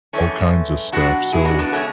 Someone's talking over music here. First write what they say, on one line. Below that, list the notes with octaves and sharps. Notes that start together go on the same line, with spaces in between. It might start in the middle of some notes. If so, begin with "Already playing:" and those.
all kinds of stuff, so,
F#2 E3 G#3 A3 C#4
B2 F#3 D4 F#4
E4 G#4
D4 F#4
B3 D4
C#3 G#3 A3 C#4